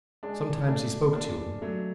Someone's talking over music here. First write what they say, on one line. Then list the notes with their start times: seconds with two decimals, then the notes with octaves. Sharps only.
Sometimes he spoke to him.
0.23 G#3 D4
0.68 A3 D4
1.15 A#3 D4
1.62 F#3 A3